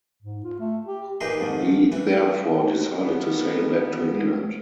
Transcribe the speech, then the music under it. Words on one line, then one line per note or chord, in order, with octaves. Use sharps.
He therefore decided to sail back to England.
G#2
F4
A3
G4
A#2 E3 A#3 D#4 G4 G#4
F2 G#2 D#3
E3
D3 D#3 F3 B3